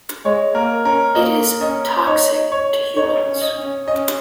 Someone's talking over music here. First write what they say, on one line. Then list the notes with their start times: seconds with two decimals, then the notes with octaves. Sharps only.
It is toxic to humans.
0.25 G#3 C#5
0.54 A#3 A#4
0.85 C#4 A#4
1.15 A#3 D#5
1.60 C#4 D#5
2.06 D#4 C#5
2.52 C#5
2.97 D#4 C#5
3.26 C#4
3.42 D#5
3.58 C#4
3.87 C#4 D#5